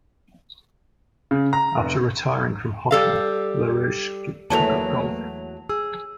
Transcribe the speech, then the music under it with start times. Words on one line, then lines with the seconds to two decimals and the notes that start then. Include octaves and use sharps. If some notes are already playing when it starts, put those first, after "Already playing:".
After retiring from hockey, Larouche took up golf.
1.31 C#3
1.53 A#5
1.76 F1
2.91 G3 A4 F5
4.50 E2 F#3 A3 A#3 B4 E5 A5 F7
5.69 G#4 E6